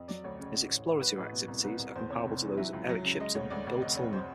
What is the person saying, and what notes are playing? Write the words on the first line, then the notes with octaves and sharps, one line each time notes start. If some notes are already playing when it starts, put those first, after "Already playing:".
His exploratory activities are comparable to those of Eric Shipton and Bill Tilman.
Already playing: F2
F#3 D5
D2 C#5
C#3
C#3
A1
A1
A1 B4
A1
B2
C2
C2 B4
C2
E2 C5
C3 C#5
F1
E3
F#3 E5
C#2
F#3
C#3
G#3 D#5
D2 C#5
D2 D5
D2
F1 D#5
F2 C#5
C5